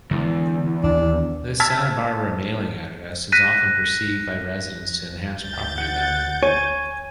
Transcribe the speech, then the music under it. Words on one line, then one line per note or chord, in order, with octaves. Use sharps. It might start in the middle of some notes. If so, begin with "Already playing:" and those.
This Santa Barbara mailing address is often perceived by residents to enhance property value.
E2 D3 G#3 D4
D#2 D4
A5 E6 F6 G#6 B6
F#6 A#6 B6 D#7
D2 G6 A6
F#5
C#5 G#5